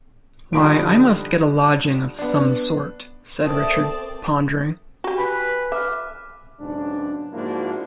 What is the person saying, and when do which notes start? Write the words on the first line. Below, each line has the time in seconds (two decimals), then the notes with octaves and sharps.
"Why, I must get a lodging of some sort," said Richard, pondering.
0.53 D3 F3 G3 D#4 B5 D7
2.19 B3 D4
3.44 C4 G4 A4 A#4 D5 E5 A5 D#6
5.04 F#4 G4
5.18 B4 G#5 B5
5.72 E5 D6 F6
6.59 B1 G#2 C#3 D4
7.33 G#2 F3 A#3 D4 E4 F#4